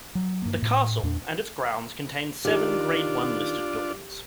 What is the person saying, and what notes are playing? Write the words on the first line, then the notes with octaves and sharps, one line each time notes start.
The Castle and its grounds contain seven Grade One listed buildings.
F#3
G2 A#3
A2
E2 A#2 A3 D4
D#3 D4 D#4 F4 G4 D5